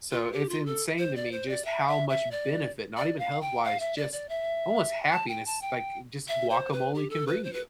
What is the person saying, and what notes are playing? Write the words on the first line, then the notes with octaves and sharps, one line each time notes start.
So it's insane to me just how much benefit, not even health-wise, just almost happiness, like just guacamole can bring you.
F4
G4
F4
A4
C5
D5
C5
D5
E5
E5
E5
D5
D5
F5
G5
F5
E5
D5
D5
E5
A5
G5
A5
G5
E5
C5
B4
G4
A4
B4
C5
B4